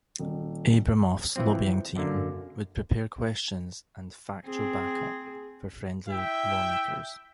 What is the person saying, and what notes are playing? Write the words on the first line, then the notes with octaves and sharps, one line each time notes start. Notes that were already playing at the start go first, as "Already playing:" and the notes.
Abramoff's lobbying team would prepare questions and "factual backup" for friendly lawmakers.
D#1
E3 F3 C4
F#2 D3 A#3
C4 G#4
E4 E5 G5